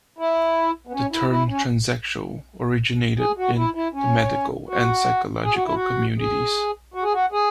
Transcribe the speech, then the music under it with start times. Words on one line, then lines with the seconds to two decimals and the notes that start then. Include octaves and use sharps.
The term "transsexual" originated in the medical and psychological communities.
0.18 E4
0.87 B3
0.93 C#4
1.12 E4
1.30 E4
1.49 C#4
3.19 G#4
3.38 F#4
3.56 E4
3.75 E4
3.94 C#4
4.69 F#4
5.44 G#4
5.54 F#4
5.64 E4
5.74 F#4
6.18 G#4
6.94 F#4
7.03 G#4
7.13 F#4
7.32 G#4